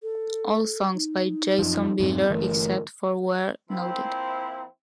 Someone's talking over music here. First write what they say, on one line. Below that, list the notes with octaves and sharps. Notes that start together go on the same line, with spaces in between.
All songs by Jason Bieler except for where noted.
A4
D#4
F#2 F3
F2 G#2 C4
G1 E3 A3 A#4
F3 A#3 C4 E4